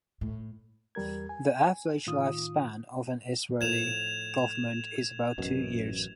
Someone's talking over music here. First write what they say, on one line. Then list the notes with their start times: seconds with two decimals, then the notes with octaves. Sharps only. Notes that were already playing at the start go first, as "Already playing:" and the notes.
The average life-span of an Israeli government is about two years.
0.21 A2
0.95 E2 G3 A#4 G#6
1.29 G#5
2.07 A2 D#3 F4 D#6
3.61 A2 F3 G#6 E7 F7
5.38 A1 F#2 B2